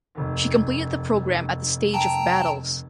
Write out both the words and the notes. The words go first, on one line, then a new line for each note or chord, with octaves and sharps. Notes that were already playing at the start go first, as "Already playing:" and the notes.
She completed the program at the stage of battles.
F1 D#2
G5 A5 A#5